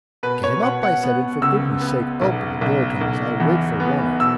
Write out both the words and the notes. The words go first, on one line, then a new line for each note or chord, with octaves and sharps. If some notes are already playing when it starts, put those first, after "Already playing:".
"Get him up," I said, "and for goodness' sake open the door, Thomas. I'll wait for Warner."
B2 B4
C#5
B2 F#5
F#5
B3
C#2 E6
B3
B1
B1
B1
E2
B3
B2 E6